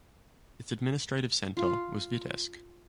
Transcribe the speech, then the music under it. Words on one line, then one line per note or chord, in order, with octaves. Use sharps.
Its administrative centre was Vitebsk.
F4